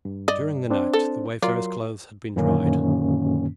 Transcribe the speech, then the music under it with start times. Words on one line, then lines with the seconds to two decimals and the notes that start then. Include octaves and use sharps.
During the night the wayfarer's clothes had been dried.
0.05 G2
0.28 D5 D#5
0.70 C4 D4 C5
0.93 A4
1.42 F#3 F4 A#4 D5 C6
2.36 F#2 A#2 D3 D#3 A#3 C#4